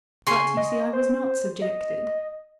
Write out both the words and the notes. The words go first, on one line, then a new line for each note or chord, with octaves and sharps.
But you see I was not subjected.
C#3 G#5 C6 C#6
D#5
C5
D#5